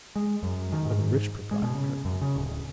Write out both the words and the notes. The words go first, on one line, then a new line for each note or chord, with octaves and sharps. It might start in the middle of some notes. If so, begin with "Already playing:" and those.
For the rich proprietor.
G#3
F#2
D#3
G#2
G#3
B2
C#3
F#2
C#3
D1